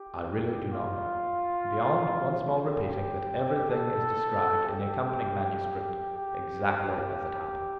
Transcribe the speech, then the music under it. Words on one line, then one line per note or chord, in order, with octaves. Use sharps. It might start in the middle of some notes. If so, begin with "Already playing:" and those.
I really do not know beyond once more repeating that everything is described in the accompanying manuscript exactly as it happened.
Already playing: G4
F4
F4
G4
A4
G4
G4